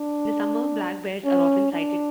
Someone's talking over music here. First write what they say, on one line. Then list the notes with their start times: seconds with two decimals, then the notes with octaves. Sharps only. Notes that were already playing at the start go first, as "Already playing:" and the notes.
In the summer black bears are often sighted.
Already playing: D4
1.25 C#4
1.72 D4